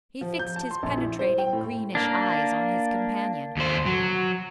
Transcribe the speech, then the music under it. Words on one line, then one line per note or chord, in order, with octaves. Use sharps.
He fixed his penetrating greenish eyes on his companion.
F3
G6
A5
C6
A#1
E4
C5
G5
A2
A#3 D4
D#2 C5
F#3